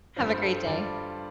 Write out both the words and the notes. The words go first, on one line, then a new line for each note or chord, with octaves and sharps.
Have a great day.
G2 G3 F4 C5
C5
A4
C5
G2 G3 F4 D5